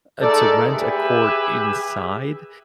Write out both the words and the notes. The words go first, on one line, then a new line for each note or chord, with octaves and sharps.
uh, to rent a court inside
G#3 A3 D#4 A4 A#4 D5
G4 G#4 B4 E5